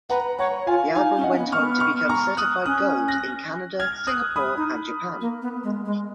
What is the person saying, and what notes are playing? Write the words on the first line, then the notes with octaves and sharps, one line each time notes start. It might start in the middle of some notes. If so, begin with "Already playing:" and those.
The album went on to become certified Gold in Canada, Singapore, and Japan.
B4 F#5 A#5
C#5 F#5 A#5
F4 F5 G#5
D#4 F5 G#5
C#4
D#5 F#5
C#4
B3
C#6 F6
B3
C#6 F6
A#5 C#6
D#6 F#6
C#4 D#6 F#6
F#6 A#6
F6 G#6
D#6 F#6
B5 D#6
D#4
A#3
B3
G#3
G#3